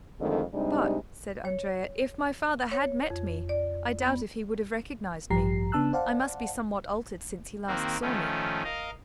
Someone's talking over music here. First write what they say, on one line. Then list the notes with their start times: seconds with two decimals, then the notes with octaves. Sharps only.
"But," said Andrea, "if my father had met me, I doubt if he would have recognized me; I must be somewhat altered since he last saw me."
0.21 F2 D3 D#3 G#3 A3
0.54 C3 G3 G#3 D4 D#4
1.45 C#5
2.71 C#5
3.10 F2
3.49 D5
4.02 B3
5.30 A1 G2 F3 G4 A#5 C7
5.72 C#3 B3 D4 A5 E6 F#6
5.93 C5 D5 F5 F#5 A5
7.67 D#3 A#3 C4 F#4
8.01 D#3 F3 A3 C#4
8.64 A#4 D#5 F5